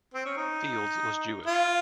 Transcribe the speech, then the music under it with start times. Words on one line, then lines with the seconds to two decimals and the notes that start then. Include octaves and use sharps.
Fields was Jewish.
0.14 C4
0.26 C#4
0.37 D#4
1.46 F4